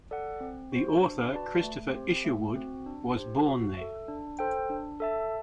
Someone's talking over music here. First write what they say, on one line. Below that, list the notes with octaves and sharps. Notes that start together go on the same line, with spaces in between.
The author Christopher Isherwood was born there.
A4 D5 F#5
C4
F#4 C5
D4
F#4 B4 D5 A5
A3
C4 G4 C5
A3
C4 F#4
D4
G4 C5
F#4
A4 E5
D4
A4 C5 G5
D4
A4 E5 A5